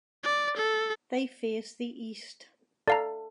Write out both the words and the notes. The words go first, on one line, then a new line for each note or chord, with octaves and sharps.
They face the east.
D5
A4
A4 D5 F5 A#5